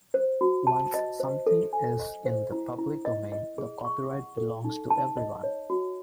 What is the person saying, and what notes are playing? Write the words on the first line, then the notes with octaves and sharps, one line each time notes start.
Once something is in the public domain, the copyright belongs to everyone.
C5
F#4
A5
D#5
C5
A4
G#5
D#5
C5
E4
E4
D#5
D#5
G#4
C#6
F#5
A4
D#4
A5
D#5
C#5
F#4